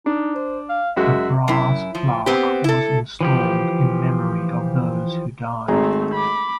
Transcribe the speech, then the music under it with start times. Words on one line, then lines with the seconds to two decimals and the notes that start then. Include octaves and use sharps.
A brass plaque was installed in memory of those who died.
0.06 D4 D#4
0.35 C5
0.69 F5
0.96 F#2 G#3 F#4 E5
1.48 F#2 E4
1.95 F3
2.26 B3 C4 G4
2.64 E4 A4
3.21 E3 F3 G4
5.68 G#1 A3 C4 G#4 A#5
6.14 B5 D6